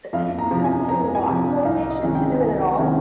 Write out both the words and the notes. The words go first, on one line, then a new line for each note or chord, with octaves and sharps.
eh, uh, completely lost motivation to do it at all.
F2 F5
A#5
C3 F3
G#5
F2 A#5
G#5
C3 F3
C2 F5
D#5
C3 D#3 G#3 C#4
G5
C2 G#5
C3 D#3 G#3 C#4